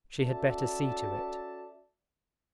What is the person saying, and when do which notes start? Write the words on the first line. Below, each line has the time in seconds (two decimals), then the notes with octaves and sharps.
She had better see to it.
0.21 C#4 F#4 A4 D5 E5 A5